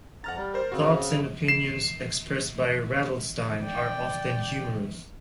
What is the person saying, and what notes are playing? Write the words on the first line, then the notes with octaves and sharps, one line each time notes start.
Thoughts and opinions expressed by Ravelstein are often humorous.
F2 F#5 A#5 F6 A6
G3
A#4 C5
C#3 C4 F#4
C7 E7
D5 G5